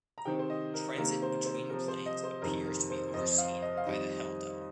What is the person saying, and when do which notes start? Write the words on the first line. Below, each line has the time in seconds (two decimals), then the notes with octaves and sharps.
Transit between planes appears to be overseen by the Hell Devil.
0.18 A#5
0.25 C3 D#3 C4 G5
0.39 C5
0.50 D#5
0.74 A#4
0.97 C3 D#3 A#3 A#4
1.22 C5
1.46 C5
1.70 C3 F3 C4 A#4
1.88 C5
2.06 D#5
2.24 C5
2.42 F2 C3 D#3 A#4
2.66 A#4
2.90 C5
3.14 F2 F3 C4 D#5
3.38 F5
3.62 D#5
3.77 F5
3.86 F2 D#3 G3 C4 D#5